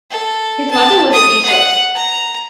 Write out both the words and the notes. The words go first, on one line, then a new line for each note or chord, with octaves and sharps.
His mother was a teacher.
A4
A5
D#6
F#5
A#5